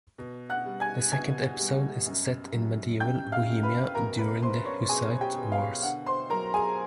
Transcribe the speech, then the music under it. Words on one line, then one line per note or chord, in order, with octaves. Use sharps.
The second episode is set in Medieval Bohemia during the Hussite Wars.
B2
F#5 F#6
G3
G#5 G#6
B2 G#5 G#6
G3
F#2
F#3
F#2 G5 G6
F5 F6
F#2
B4 B5
B2 A#4 A#5
B4 B5
B2 C5 C6
C#5 C#6
B2 G#4 G#5
G4 G5
B2
F5
D3 F#5
C5 C6
F#3 A#4 A#5
G#4 G#5